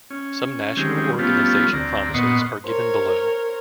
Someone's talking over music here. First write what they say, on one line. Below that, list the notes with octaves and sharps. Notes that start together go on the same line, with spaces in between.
Some national organization promises are given below.
C#4
D#3 G3 G#3 C4 C#4
F3 G3 A3 B3 C#4 F4
D2 C4 D5 A#5
A#2 B3 D#5 F#5 C6 C#6
A#4 C5 C#5